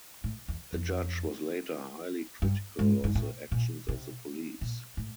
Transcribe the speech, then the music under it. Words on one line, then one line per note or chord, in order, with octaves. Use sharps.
A judge was later highly critical of the actions of the police.
A2
E2
F2
G2
G#2
G#2
A2
A#2
C3
A#2
A2